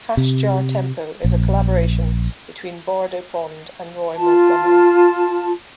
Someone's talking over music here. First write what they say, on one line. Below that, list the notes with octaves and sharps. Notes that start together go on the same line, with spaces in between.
Hash Jar Tempo is a collaboration between Bardo Pond and Roy Montgomery.
C3
A#1
F4 A5